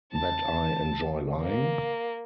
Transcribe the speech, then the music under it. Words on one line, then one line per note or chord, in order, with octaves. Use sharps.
That I enjoy lying?
A5
A#3